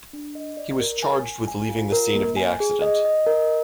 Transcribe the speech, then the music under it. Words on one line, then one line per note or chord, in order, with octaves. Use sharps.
He was charged with leaving the scene of the accident.
D4
D#5
D5
A#4
G#5
G#5
G#5
F4
A#4
A#3
G#5
G#4
D#5
D#5
A#4